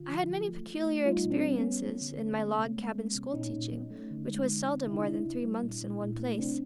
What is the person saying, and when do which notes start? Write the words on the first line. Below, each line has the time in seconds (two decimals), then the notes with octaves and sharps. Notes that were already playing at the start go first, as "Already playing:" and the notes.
I had many peculiar experiences in my log-cabin school-teaching, which was seldom more than three months in one place.
Already playing: D3 F4
0.10 F3
0.29 F#3
0.49 A3
0.67 A3
0.86 A3
1.06 G3 D#4 F4
1.25 B2
1.30 C4 D4
1.44 G3
1.56 B3 C#4
1.63 G3
1.82 F#3
2.01 D3
2.20 D3
2.39 A3
2.58 C3
2.77 G#3
2.95 G#3
3.15 C3
3.34 A#2 C#4 D#4
3.53 A#2
3.72 F#3
3.91 A3
4.11 D3
4.29 G#3
4.49 D3
4.67 D3
4.86 C3 E4
4.94 D#4
5.03 C3 D4 E4
5.25 C3
5.44 G3
5.63 A#2
5.82 A#2
6.01 A#2
6.19 A3
6.39 C3 C4 D4